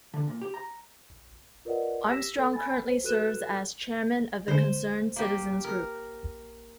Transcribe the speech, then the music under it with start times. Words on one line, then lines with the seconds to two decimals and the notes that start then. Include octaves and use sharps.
Armstrong currently serves as chairman of The Concerned Citizens Group.
0.14 D3
0.27 A#2
0.41 G4
0.54 A#5
1.65 F4 A#4 B4 D5 D#5 F#5
2.08 G4 E6 A#6 B6 E7
2.36 A4
2.54 G#5 B5 A6
2.86 C5
3.04 F#4 A4 B4 F#6 D#7 E7
4.48 D3 G#3 C5
5.16 A#3 G4
5.64 A#4